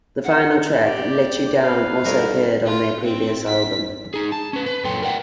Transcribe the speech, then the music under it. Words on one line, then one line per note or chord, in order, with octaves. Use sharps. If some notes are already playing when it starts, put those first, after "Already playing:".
The final track, "Let You Down," also appeared on their previous album.
F#5
G4 D5
B4 C5 F5
G2 D#4 A4 A#4
F4
C4
B6
D#4 G#4
A5
C#4 B4
B4
F#2 A#2 A4 C#5 G5 C6
A#4 B4 D5 E5 F#5 G5